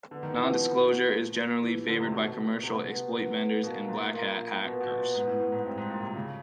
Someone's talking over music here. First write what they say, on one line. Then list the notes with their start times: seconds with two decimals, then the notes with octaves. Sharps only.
Non disclosure is generally favoured by commercial exploit vendors and blackhat hackers.
0.10 D3 B3
0.23 D#3
0.36 E3
0.49 F3
1.62 E3
1.74 E3
1.88 D3
2.00 C3
2.12 B2
2.63 C3 B3
3.13 B3
3.63 B2 A#3
3.88 A#2
4.13 A#2 A#3
4.64 B2 B3
4.80 B2
4.98 A#2
5.15 G#2
5.27 A2
5.40 A2
5.52 G#2
5.65 G2 C4
5.78 G#2
5.90 A#2
6.02 C3
6.16 C#3